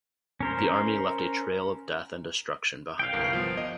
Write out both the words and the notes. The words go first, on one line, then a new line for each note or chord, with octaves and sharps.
The Army left a trail of death and destruction behind it.
C#4 A#4 C5
F5 G5
G1 C2 A#4
F3 B3
D#5